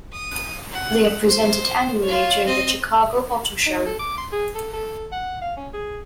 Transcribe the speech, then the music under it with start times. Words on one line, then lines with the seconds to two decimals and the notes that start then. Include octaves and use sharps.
They are presented annually during the Chicago Auto Show.
0.12 D#6
0.73 F#5
1.29 C5
2.03 F4 C#5
2.46 C4 D#5
3.66 D#4
3.86 A4
3.99 D6
4.18 C6
4.32 G#4
4.55 A4
4.73 A4
5.12 F#5
5.41 F5
5.57 C#4
5.73 G#4